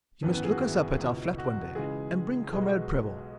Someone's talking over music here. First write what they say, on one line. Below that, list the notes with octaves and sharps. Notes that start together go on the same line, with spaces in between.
You must look us up at our flat one day, and bring Comrade Prebble.
G#1 F#2 E3 B3 B4
B3 B4
G#4
F#4
E4
C#2 B2
F#4
C#2 C#3 E3 G#3 G#4
B1 B2 G#3 G#4
F#4